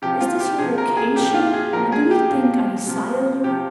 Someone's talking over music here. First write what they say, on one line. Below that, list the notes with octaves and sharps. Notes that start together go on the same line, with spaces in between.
Is this your vocation and do you think I desire you?
C3 F3 G4
F4
G4
C3 F3 G#4
A#4
G#4
A#2 F3 G4
G4
F4
G#4
A#2 F3 A#4
G#4
G4
A#2 F3
C3 F3
C3 F3 G4